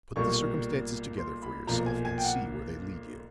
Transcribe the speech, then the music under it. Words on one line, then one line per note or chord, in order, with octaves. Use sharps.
Put the circumstances together for yourself and see where they lead you.
B1 A#2 G3 A#3 C#6
C6
B5
B1 A#2 F3 A#5
G#5
G#5
G5
F#5